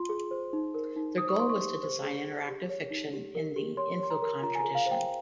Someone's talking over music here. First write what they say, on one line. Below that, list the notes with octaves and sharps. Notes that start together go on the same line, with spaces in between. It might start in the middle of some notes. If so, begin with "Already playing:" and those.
Their goal was to design interactive fiction in the Infocom tradition.
Already playing: F4 C6
G#4
C5
D#4
A#4
D#4
C5 D#6
C#6
C5 C6
C#6
G4
C5
G#4
G#4
G4
C#5
D#4
G4
A#4
G4
C#5 C6
C#5 C6
A#5
A#4
F4 A#5
G#5
G#4 A#5
F5
C5
G5